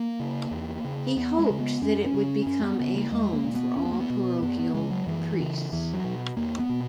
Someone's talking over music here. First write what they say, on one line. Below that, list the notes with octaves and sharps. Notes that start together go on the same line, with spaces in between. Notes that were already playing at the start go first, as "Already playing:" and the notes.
He hoped that it would become a home for all parochial priests.
Already playing: A#3
C#3
E2
C#3
E2 B3
G#3
C#3
B3
F#2 C#4
C#4
C#3
F#2 C#4
B3
C#3 B3
A#3
E2 G#3
A#3
B2
B3
E2 C#4
B3
A#3
B3
B2
F#2 B3
B3
C#3 G#3
F#3
F#2 E3
C#3
E2 E3
F#3
B2
E2 A#3
B3
B2